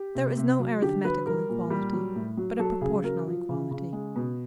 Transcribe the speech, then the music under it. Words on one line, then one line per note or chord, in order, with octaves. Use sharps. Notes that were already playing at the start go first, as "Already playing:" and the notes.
There is no arithmetical equality, but a proportional equality.
Already playing: G4
C3
C3
F#3
D3 G4
F#3 B4
G3 A#4
A#2
G3
F#3
A2
F#3
F#3 A4
C#3 G#4
F#3 A#4
F3
C#3
C#3
G#3
B2